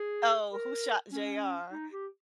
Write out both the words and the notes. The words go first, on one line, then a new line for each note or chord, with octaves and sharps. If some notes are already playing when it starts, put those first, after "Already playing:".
Oh, "Who shot JR?"
Already playing: G#4
A#4
C#4
D#4
G4